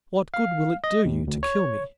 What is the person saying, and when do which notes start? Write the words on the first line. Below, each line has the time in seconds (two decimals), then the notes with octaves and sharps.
What good will it do you to kill me?
0.34 F5
0.84 D#5
1.05 D#2
1.27 D2
1.43 C#5